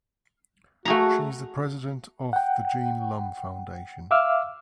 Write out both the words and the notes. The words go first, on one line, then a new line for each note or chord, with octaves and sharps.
She is the president of the Jean Lumb Foundation.
A3 F#4 G#4 A#5
F#5 G5
E5 F5 D6 E6 F6